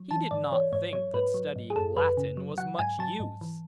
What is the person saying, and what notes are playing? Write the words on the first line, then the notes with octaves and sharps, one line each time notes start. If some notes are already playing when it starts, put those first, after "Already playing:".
He did not think that studying Latin was much use.
Already playing: F#3
E3 A5
G#2 D5
E3 C#5
G#2 C#5
F#3 C#5
G#2 B4
F#3
G#2
G#4
F#2 A4
F#2 B4
C#3
F#3
F#3 F#5
G#2 G#5
F#3 A5
G#2
E3